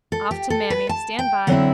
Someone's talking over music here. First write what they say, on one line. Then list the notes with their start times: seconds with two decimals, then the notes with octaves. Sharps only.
Off to mammy. Stand by.
0.12 A4
0.31 G4
0.50 A4
0.70 B4
0.89 A5
1.19 G5
1.47 D3 F#3 C4 E4 F#5